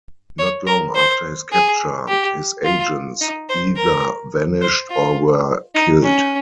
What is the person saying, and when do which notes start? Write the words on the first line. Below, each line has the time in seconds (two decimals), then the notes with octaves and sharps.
Not long after his capture, his agents either vanished or were killed.
0.39 C#5
0.67 A#4
0.95 C5
1.52 G#4
2.08 G4
2.64 F4
3.21 D#4
3.49 C5
3.77 A#4
4.62 C5
4.90 F4
5.75 D#4
6.03 C#4